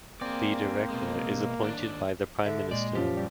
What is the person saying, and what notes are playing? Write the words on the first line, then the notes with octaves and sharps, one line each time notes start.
The director is appointed by the Prime Minister.
A#3 C4 G#4 D5
B2 G#3
D#2 D4
D3 E5
A#2 G#3 D5
F#2 F3 G4
G3